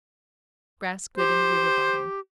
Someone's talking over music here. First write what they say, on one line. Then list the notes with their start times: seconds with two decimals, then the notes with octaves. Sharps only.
Grass good in the river bottom.
1.18 G4 C5